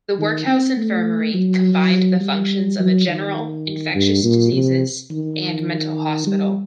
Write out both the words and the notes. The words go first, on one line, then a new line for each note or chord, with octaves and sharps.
The workhouse infirmary combined the functions of a general, infectious diseases, and mental hospital.
D#3
C4
A3
F#3
G3
F#3
D#3
G2
A#2
C3
D#3
G3